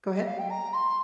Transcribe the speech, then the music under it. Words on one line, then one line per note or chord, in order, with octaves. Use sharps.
Go ahead.
D#5
F5
G5
A#5
C6